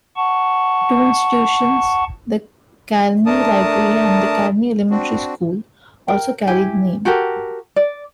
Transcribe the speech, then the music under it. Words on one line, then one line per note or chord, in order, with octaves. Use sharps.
Two institutions, the Carney Library and the Carney Elementary School, also carry the name.
F#5 A5 C#6
A3 D4 A#4 A5 D#6
C4 D4 F#4
A#4 G5
E4 G4 G#5
F#4 G4 A4 A#4
D5